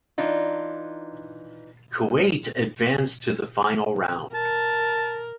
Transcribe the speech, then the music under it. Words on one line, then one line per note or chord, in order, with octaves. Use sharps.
Kuwait advanced to the Final Round.
E3 D4 D#4 F4
A#4 A5